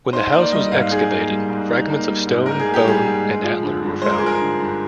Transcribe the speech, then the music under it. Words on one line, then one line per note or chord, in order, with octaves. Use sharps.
When this house was excavated, fragments of stone, bone and antler were found.
D#4 C5
A#3 D5
G3 D#5
G#2 F5
D#4 G#4
A#3
G3
G#2
D#4
A#3
G3
G#2
D#4 A#4
G#4
A#3
G4
G3 G#4
G#2
G#3
F3
D3
G2
G#3 C5
A#4
G#4
F3 A#4
D3
G2